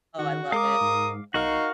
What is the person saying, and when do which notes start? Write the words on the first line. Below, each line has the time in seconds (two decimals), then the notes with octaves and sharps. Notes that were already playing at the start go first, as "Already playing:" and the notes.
Oh, I love it.
0.19 D#3 F#4
0.52 G#3 A#4 F5 D6 D#6
0.81 G#2
1.34 B1 D#4 F#4 A#4 F5 C#6